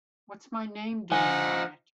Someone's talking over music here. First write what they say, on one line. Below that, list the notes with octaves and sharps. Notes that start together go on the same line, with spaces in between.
What's my name doing on it?
F3 D#4 F#5 G#5